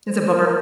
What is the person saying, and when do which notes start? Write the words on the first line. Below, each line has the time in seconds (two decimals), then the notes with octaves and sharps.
it's a bummer.
0.08 C5
0.31 A#4